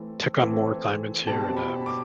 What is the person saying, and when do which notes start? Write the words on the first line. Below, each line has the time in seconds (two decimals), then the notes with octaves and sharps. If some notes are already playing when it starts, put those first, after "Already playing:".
took on more assignments here and, um,
Already playing: E3 A3 C4
0.39 E3 A3 C4
1.27 B2 G3 C4 A5
1.57 B5
1.86 D6